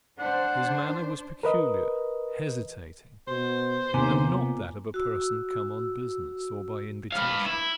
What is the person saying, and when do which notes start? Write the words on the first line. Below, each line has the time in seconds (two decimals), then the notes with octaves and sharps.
His manner was peculiar, hesitating, and not that of a person come on business or by invitation.
0.19 D4 C5 F#5
1.43 A#4 B4 D#5
3.28 B2 C5
3.94 D#2 C3 B3 G#5 A#5 D6
4.26 A#2
4.94 F#4 E6
7.13 B4 F5
7.46 E4